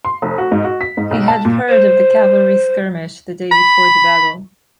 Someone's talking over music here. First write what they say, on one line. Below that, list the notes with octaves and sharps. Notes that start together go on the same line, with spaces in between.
He had heard of the cavalry skirmish the day before the battle.
C6
F1
F#4
G#2
F#4
B6
G#2
B1
A5
A#2
C5
B5